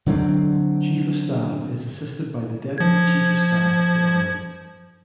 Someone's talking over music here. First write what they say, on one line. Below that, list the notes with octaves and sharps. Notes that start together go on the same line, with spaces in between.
Chief of Staff is assisted by the Deputy Chief of Staff of the Army.
D3 F#3 G#3 C4
F3 G#6